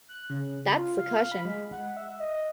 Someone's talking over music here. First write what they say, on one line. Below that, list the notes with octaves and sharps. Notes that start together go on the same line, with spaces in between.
That's the cushion.
F#6
C#3
F4
F5
B5
G#3
F#5
E5
D#5